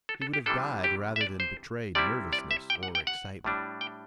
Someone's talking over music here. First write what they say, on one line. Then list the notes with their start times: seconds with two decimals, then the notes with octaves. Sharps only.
He would have died rather than betray nervousness or excitement.
0.09 A4
0.22 A4
0.34 G4
0.46 C3 E3 G3 D4 A4
0.84 G4
1.16 E5
1.21 D5
1.40 C5
1.95 C3 G3 C4 E4 D5
2.33 D5
2.51 E5
2.70 G5
2.83 F#5
2.95 G5
3.07 F#5
3.44 A2 G3 D4
3.81 G5